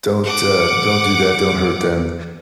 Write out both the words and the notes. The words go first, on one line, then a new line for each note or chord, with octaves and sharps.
don't, uh don't do that, don't hurt them."
F#5 D6